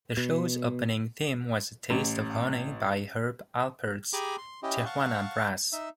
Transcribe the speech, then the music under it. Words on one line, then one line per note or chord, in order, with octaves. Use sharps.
The show's opening theme was "A Taste of Honey" by Herb Alpert's Tijuana Brass.
B2
A1
G4 G#4 G#5 A#5 B5 D6
C6
C#4 E4 G4 D#5
F5 F#5 A5 C#6
D#4 E5